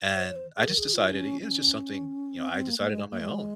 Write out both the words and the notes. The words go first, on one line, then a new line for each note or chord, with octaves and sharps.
And I just decided it was just something, you know, I decided on my own.
C5
C#5
C5
G#4
A#4
G#4
F4
C#4
C#4
C4
C4
A#3
A#3
G#3
A#3
G#3